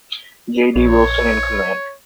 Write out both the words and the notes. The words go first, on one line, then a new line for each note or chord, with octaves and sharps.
J. D. Wilson in command.
A#1 C#5